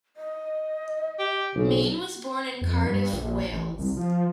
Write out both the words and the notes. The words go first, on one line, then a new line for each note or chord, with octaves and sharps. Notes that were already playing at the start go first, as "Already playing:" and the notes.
Main was born in Cardiff, Wales.
D#5
G4
B1 C#3
F2
G2
A#1
A1
C2
F3